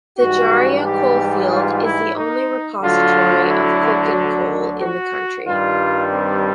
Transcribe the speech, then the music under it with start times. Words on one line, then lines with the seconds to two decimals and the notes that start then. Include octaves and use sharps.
The Jharia coalfield is the only repository of coking coal in the country.
0.19 G#2 E3 G3 F#4
0.84 G4
1.50 F4
1.84 E4
2.17 D#4
2.82 D2 D3 F#3 F4
3.48 E4
4.80 F#4
5.46 G2 D#3 G3 F4
6.13 C4